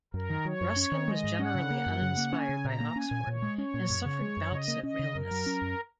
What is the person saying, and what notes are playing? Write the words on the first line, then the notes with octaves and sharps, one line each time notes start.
Ruskin was generally uninspired by Oxford and suffered bouts of illness.
F#2 A#4
D#3
F#3 C#5
F#2
C#4
D#3
G#3 D#5
G#2
C#4 F#5
C#3
A#3
F#2
C#3
A#3
C#4 G#5
C#3
A#2 A#5
A#3
C#4 G#5
A#2
A#2 C#5
G#3
C#4 C#5
A#2
F#2
C#3
G#3
F#2
C#3 D#5
A#3
C#4 D#5
C#3
F#2 A#4
F#3
C#4
F#2